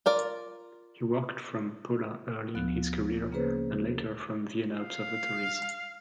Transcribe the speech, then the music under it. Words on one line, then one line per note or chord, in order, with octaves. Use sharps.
He worked from Pola early in his career and later from Vienna observatories.
F4 A#4 D5
D2 F3 B3 F#6
C#3 A#3 C#4 G#4 B4 C5
F5